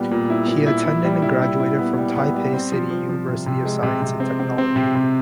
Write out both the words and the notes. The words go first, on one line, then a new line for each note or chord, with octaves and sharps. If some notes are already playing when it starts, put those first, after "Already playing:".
He attended and graduated from Taipei City University of Science and Technology.
Already playing: A#2 G3 B3
A#2
E4
A#2
E4
E4
G3
E4
E4
E4
B3
G3
B3
G3
C4
F3
F3
F3
C3
C3
G#3
C3
C3
C4
C4
C4
C3
C3